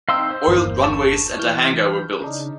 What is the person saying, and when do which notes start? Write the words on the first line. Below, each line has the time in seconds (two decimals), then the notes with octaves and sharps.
Oiled runways and a hangar were built.
0.09 C4 D#4 F5 G5 C6 E6
0.31 C5
0.47 G1 E2 A#3
0.84 A5 C#6
1.39 E3 F6 G6
2.22 C#3 D4 D#4